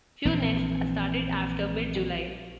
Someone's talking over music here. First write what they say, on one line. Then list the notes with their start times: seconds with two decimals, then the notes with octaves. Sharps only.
Few nests are started after mid-July.
0.25 A#1 E3 C4